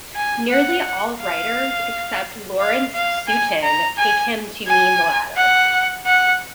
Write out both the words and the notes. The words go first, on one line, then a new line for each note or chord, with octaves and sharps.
Nearly all writers except Lawrence Sutin take him to mean the latter.
G#5
F#5
F5
F5
F5
G#5
A#5
G#5
G#5
F#5
F#5